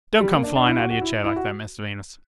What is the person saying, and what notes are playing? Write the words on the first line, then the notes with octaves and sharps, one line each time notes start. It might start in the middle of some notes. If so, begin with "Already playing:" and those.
Don't come flying out of your chair like that, Mr Venus!'
G3
A#3
D4
D4
E4
F#4
F#4
E4
E4
F#4